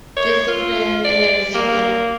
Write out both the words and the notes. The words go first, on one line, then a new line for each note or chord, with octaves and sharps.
Discipline and everything and a
C#5
F4
D5
A#3